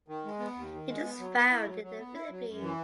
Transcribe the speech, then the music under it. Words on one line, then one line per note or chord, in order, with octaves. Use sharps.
It is found in the Philippines.
D#3
G#3
B3
D#2
D#3
G#3
B3
F#3
B3
E4
F#3
F#3
B3
E4
F#3
F#2
E3